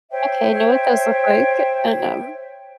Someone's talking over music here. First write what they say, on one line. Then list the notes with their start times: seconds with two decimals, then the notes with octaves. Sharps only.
Okay, I know what those look like and, um
0.10 C5 C#5 E5 G5